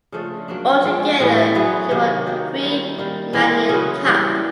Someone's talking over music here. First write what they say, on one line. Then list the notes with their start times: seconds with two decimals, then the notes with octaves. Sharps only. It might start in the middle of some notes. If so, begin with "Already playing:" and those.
Altogether he won three Malian Cup.
0.12 C#3 F3 A3 D4
0.48 F#3 A#3 D4
0.84 F3 G#3 C#4
1.20 A2 E3 G3 C4
1.55 F#3 B3 E4 G#4
1.91 C3 D#3 F#3 A#3
2.27 F#3 A#3 D#4 G4
2.62 D#3 G3 C4 E4
2.98 D#3 G3 A#3
3.33 E3 G#3 C4
3.69 C#3 F#3 B3
4.05 E3 G3 A#3